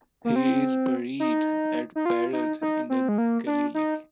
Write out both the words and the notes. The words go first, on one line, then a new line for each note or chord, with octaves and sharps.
He is buried at Parod in the Galilee.
A#3
C4
D#4
D#4
F4
D#4
D#4
C4
G#3
A#3
D4
D#4